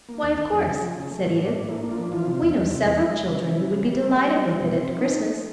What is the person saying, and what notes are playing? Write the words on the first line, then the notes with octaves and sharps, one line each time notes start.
"Why, of course," said Edith, "we know several children who would be delighted with it at Christmas."
A#3
D#2
A3
F2
C#3
F3
C#3
A3
A2
D4
A2
A#3 E4
D4
F4
F3
E3 F4
C3
E2
E2
C3
E2
F3
G#3
C#3
C#3 E4
C#3
C#3
G3
A#3
G3
G3 E4
G3
F4
B2
C4 E4
F3
D#4
A3